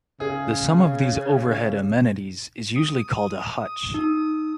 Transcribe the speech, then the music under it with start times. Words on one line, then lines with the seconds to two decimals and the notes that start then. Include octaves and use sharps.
The sum of these overhead amenities is usually called a hutch.
0.20 C#3 G#4
2.76 D#6
3.94 D#4